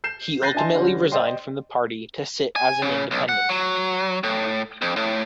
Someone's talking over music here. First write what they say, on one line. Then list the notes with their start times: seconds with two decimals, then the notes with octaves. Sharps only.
He ultimately resigned from the party, to sit as an Independent.
0.04 G6 C7 E7
0.42 F#6 G6 A6 A#6 C7 D#7
0.54 D4 D#5 E5 G#5 A5 C6
0.74 D3 G3 C#4
1.12 C5 D5 D#5 G5 C6
2.56 G#5
2.82 C#3
3.11 B1
3.29 F#5
3.49 F#3
4.23 A2
4.82 F2
4.96 A2